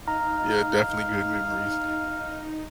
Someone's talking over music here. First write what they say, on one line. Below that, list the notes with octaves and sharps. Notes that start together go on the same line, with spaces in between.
Yeah, definitely good memories.
D#4 F5 A#5